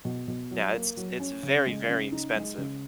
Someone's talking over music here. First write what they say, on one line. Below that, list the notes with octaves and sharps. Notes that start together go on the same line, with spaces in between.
Yeah, it's it's very, very expensive.
B2
B2
F#3
A#3
F#3
C#4
C#3
G#3
C#3
D#4
G#3
C#3